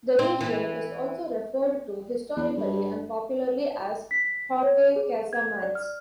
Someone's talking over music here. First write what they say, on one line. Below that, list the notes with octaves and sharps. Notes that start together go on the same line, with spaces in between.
The region is also referred to historically and popularly as Haute Casamance.
C4
E3
E2
G2
B6
C#5
G#4
G#6
D5
F6